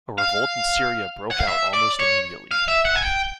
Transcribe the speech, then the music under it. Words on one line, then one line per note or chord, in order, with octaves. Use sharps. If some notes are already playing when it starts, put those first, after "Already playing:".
A revolt in Syria broke out almost immediately.
F5
F#5
F5
E5
D5
C#5
F5
E5
F#5
G#5
G5